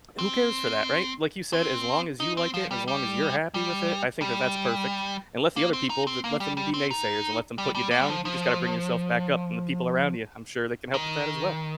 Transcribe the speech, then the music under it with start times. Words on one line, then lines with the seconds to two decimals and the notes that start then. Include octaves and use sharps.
who cares for that, right? Like you said, as long as you like it and as long as you're happy with it, I think that that's perfect. And let the other people let them be naysayers, and let them put you down, you just gotta bring yourself back up, and the people around ya, I'm sure they can help with that as well.
0.18 C4
1.53 C4
2.20 D#4
2.37 C4
2.54 F3
2.71 G3
2.88 G3
3.54 G3
4.22 G3
5.56 A#3
5.73 C4
5.90 D#4
6.07 C4
6.24 A#3
6.40 G3
6.57 G3
6.74 C4
6.91 D#4
7.58 G3
7.75 G3
7.91 A#3
8.01 G3
8.08 F3
8.25 F3
10.94 D#3